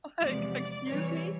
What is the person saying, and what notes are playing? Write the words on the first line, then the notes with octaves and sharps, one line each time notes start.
Like, excuse me?
E2 C3 F3 G#3 B3 D5
D5
C3 E3 G3 C#5